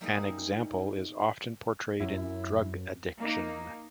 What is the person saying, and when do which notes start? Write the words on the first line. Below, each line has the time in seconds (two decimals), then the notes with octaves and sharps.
An example is often portrayed in drug addiction.
0.01 G3 A#3 D#4 E4 G#4 D#5
2.00 F#2 E4
3.18 A#3 D#4